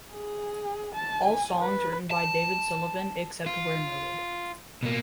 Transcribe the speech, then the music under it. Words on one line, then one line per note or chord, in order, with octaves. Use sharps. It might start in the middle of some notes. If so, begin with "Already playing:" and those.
All songs written by David Sylvian except where noted.
G#4
A5
G#5
B4
A5
F4
B2 A#3